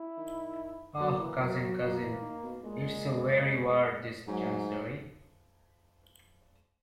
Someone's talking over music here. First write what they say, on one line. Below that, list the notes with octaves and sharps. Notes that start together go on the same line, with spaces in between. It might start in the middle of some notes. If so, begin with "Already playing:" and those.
Ah, cousin, cousin, it's a weary word this Chancery!
Already playing: E4
D#3
F#3 A#3
E3
F#3
F#3
F#3 A#3
E3
D#3
B2
A#2 G#3
G#2 F#3